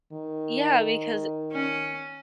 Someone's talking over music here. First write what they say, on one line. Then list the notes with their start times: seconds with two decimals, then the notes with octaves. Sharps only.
Yeah, because
0.13 D#3
1.52 C#4